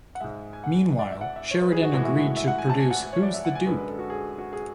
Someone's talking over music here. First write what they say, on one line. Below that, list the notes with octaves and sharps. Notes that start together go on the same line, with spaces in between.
Meanwhile, Sheridan agreed to produce Who's the Dupe?
F#5
G#2 G#3 E5
G#5
F#5
D5
E5
F#5
E5
C#5
B4
G#4
F#4
A2 E3 G#3 F#4
E4
F#4
E5
F#5
G#5
A5
G#5
F#5
C#5
D5
E5
F#5
G#5
F#2 D3 G#3 B4
B4
A4
F#4
G#4
F#4
G#4